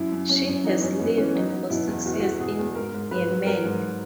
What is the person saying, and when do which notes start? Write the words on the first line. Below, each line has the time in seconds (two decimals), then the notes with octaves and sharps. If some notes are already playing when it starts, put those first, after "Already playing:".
She has lived for six years in Yemen.
Already playing: F#2 E4
0.12 F#2
0.29 F#2 C#4
0.47 F#2
0.64 E3 D#4
0.82 F#2 C#4
0.99 F#2 B3
1.18 E3 C#4
1.35 F#3 D#4
1.52 F#3
1.70 B2 E4
1.87 E2
2.05 E2 F#4
2.14 E4
2.20 E2 F#4
2.40 B2 G#4
2.59 E2
2.75 G#2 A#4
2.94 G#2
3.11 G#2 B4
3.29 F#3
3.46 F#3 A#4
3.65 G#2